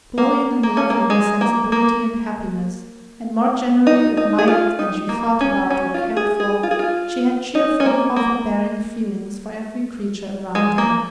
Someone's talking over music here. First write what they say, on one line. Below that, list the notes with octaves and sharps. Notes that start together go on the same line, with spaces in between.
Glowing and lovely in sensibility and happiness, and more generally admired than she thought about or cared for, she had cheerful or forbearing feelings for every creature around her.
A#3
A#3
C#4
A#3
G#3
A#3
A#3
D#4
D#4
G#4
F4
D#4
A#3
C#4
C#4
F4
G#4
G#4
F4
G#4
F4
D#4
C#4
A#3
A#3
G#3
A#3